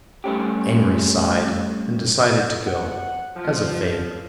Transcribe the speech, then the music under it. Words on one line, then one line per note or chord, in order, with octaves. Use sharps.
Amory sighed and decided to go, as a favor....
G3 A3 C#4 G4
F#5
F3